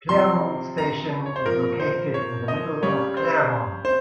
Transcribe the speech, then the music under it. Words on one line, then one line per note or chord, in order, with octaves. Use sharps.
Claremont station is located in the middle of Claremont.
C3 F3 C6
A#5
C#5
C5
A#2 F3 A#4
C5
C#5
D#5
C#3 G3 C#5
C5
C5